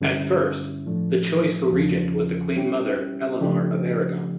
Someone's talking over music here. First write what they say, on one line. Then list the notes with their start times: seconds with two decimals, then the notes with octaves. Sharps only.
At first, the choice for regent was the Queen mother Eleanor of Aragon.
0.01 G2 D3 G3 C#4 E4
0.86 A2 F3 A3 D4
1.71 E2 C#3 F3 C#4 F4
2.56 G3 C#4 E4 G4
3.41 C#3 F3 A3 D4 G4